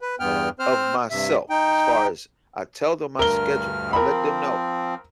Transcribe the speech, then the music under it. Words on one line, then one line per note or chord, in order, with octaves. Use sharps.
of myself as far as I tell them my schedule. I let them know,
B4
E2 G2 B3 G5 F6
C4 C5 F6
G2 C3 E5
D#4 G5
D2 G2 A#4 F6 G7
F3 C4 A#4 B5